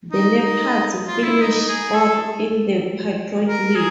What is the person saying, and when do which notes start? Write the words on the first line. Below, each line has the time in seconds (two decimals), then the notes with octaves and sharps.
The Leopards finished fourth in the Patriot League.
0.11 D#4
0.38 D#4
1.07 F4
1.24 E4
1.41 D#4
1.68 G#4
1.93 A4
3.48 A#4
3.75 G#4